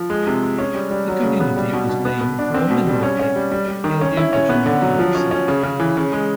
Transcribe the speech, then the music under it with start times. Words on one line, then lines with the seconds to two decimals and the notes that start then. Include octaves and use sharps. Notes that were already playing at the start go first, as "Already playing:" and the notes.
The community was named for a mineral lick near the original town site.
Already playing: F3
0.10 G#3
0.27 C3
0.43 G#3
0.58 C#4
0.75 G3
0.91 G3
1.08 F#3
1.23 C#3
1.40 B3
1.56 G3
1.73 B2
1.89 B2
2.05 B3
2.21 B3
2.39 D4
2.54 C4
2.70 B2
2.87 G3
3.03 C#4
3.19 C#4
3.36 G3
3.51 G3
3.68 G3
3.84 D#3
4.01 C#4
4.17 E4
4.33 C#4
4.49 B3
4.66 D3
4.82 F#3
4.99 F3
5.15 C#4
5.31 C#4
5.48 C#3
5.63 C#3
5.80 E3
5.97 C#3
6.13 G#3